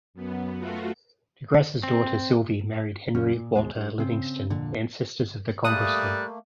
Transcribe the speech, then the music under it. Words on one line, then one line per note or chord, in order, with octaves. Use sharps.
De Grasse's daughter, Sylvie, married Henry Walter Livingston, ancestors of the Congressman.
F#2 B3
A3 F4 F#4
C4
F#1 F#2 C#4
A#2
D#2 G#2 B2 G#3
G2
C#3 C4
F2 A#2 D3
G3 A3 A#3 D#6 F#6